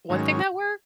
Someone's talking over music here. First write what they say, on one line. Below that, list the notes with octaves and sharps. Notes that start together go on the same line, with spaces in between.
One thing that worked
G#2 D#3 F#3 C#4